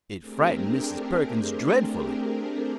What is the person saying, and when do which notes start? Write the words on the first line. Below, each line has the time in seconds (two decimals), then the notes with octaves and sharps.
It frightened Mrs. Perkins dreadfully.
0.20 A3 C4 D4 G4 G#4 A#4